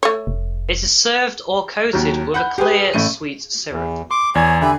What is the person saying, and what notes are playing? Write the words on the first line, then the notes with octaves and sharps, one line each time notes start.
It is served or coated with a clear, sweet syrup.
A3 C#5
F1
D#2 F#3
F#5 B5 G6
G4 G#4 B4
A1 A3 D#7
E2
C6 D6
E2 C#5 D5 G#5 G#6
D3 G4 E5 G#5 B5